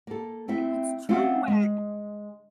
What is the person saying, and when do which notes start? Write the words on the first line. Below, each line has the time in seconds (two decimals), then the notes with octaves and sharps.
if it's too wet,
0.07 A#3 A4
0.48 A3 C4 E4 E5
1.09 A3 C4 C#4 F#4 F5 F#5
1.48 G#3